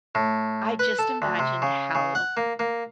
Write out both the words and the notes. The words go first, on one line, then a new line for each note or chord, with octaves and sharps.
I just imagined how
A2
B4
A4
D2
C3
C#3
C#3
F#5
A#3
A#3